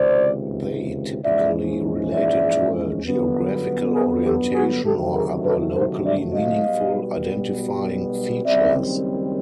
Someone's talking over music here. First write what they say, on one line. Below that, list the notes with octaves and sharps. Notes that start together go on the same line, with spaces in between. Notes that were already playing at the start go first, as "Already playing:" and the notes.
They typically related to a geographical orientation or other locally meaningful identifying features.
Already playing: C#2 C3 D#3 C5 D5
A#1 G#2 E3 G#3 C#4 D5 E5
D5 E5
G1 F#2 D3 F#3 B3
G#4 A#4
G4 A4
F#4 G#4
D2 C3 D#3 F#3 A3 G4 A4
G#4 A#4
A4 B4
A#4 C5
D5 E5
D#5 F5
B1 B2 G3 B3
F#1 F#2 D#3 G3 C4 D5 E5